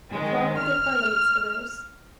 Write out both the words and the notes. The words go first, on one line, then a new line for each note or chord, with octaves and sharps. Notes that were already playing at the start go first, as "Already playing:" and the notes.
The Clerk of the Parliaments arose.
D#3 G#3
F6